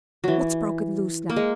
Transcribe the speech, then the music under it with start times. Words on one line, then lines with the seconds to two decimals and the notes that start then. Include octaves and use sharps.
What's broke loose now?
0.24 E3 F#3
1.29 A#3
1.36 G#3